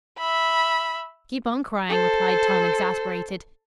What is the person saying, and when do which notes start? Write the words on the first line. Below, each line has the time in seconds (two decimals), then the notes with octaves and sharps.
"Keep on crying," replied Tom exasperated.
0.19 E5 B5
1.89 A4 C5